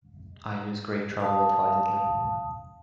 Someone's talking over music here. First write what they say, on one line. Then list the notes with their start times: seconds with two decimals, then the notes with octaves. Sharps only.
I use great trouble advisedly.
1.20 F5 A5 D#6